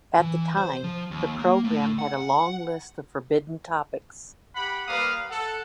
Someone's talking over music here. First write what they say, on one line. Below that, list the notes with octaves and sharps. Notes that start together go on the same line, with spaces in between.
At the time, the programme had a long list of forbidden topics.
E3
C5
F3
D#2
A#3
A2
F#5
F#5
G4 F#5 B5
G3 A#3 B4 F5 D#6
A4 F#5